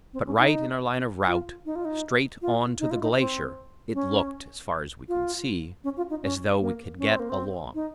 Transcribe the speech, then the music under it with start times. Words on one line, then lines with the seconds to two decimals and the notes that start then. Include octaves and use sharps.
But right in our line of route -- straight on to the glacier -- it looked, as far as we could see, as though we could get along.
0.13 C4
0.26 C#4
0.39 D#4
1.27 F4
1.66 D#4
1.76 F4
1.85 D#4
2.42 F4
2.80 D#4
2.91 F4
3.02 D#4
3.18 C4
3.94 C#4
5.08 F4
5.84 C#4
5.97 F4
6.10 D#4
6.23 C#4
6.61 A#3
6.99 C#4
7.09 C4
7.19 A#3
7.29 C4
7.74 D#4